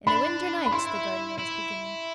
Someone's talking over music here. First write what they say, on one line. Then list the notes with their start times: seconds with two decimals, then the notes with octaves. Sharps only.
"In the winter-nights--" the Gardener was beginning.
0.07 D4 B5
0.66 B5
0.72 E4 C6
1.38 E4